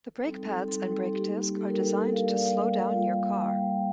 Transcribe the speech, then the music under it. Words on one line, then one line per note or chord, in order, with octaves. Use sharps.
The brake pads and brake disc are designed to slow down your car.
G3 C4 D#4 A4
G3 C4 D#4 A4
G3 A#3 D#4 G4
G3 A#3 D#4 A4
A#4
A#4
A4
G3 A#3 D4 A#4
F5
D5
F5
G3 A#3 D4
G3 A#3 F4 F5
G3 A#3 F4 G5